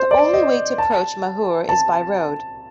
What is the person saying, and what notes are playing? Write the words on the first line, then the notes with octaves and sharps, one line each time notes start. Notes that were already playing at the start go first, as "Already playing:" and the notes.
The only way to approach Mahur is by Road.
Already playing: C5
D5
D#5
A5
A5